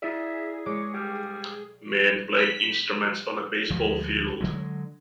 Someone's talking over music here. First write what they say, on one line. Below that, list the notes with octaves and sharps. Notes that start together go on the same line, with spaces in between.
Men playing instruments on a baseball field.
E4 G#4 D5 E5
G#3 C#5 D6
G3 G5 F6
B6
D2 F3 G3 G#3
D3 D#3 F#3 G#3